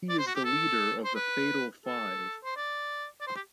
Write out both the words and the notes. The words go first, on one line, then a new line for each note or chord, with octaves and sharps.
He is the leader of the Fatal Five.
D5
C5
F#4
G4
A4
C5
B4
A4
C5
D5
D5
C5
G4